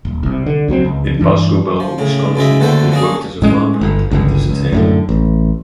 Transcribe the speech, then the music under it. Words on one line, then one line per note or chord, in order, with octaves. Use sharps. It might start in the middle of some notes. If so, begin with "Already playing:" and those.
In Boscobel, Wisconsin he worked as a farmhand and as a tailor.
D#1
C2 C3
D3
C#2 F#3 G#3 C4
C#2
G2 E3 D4
F3
A2 C#3
F#2 C#3 G#3 E5
D#2 D3 A3 F#4 C5 E5
A#3 C#4 D4 G#4
A2 G#3 C#4
G1
G1 C#2
C#2
F#2 A2 D3
A1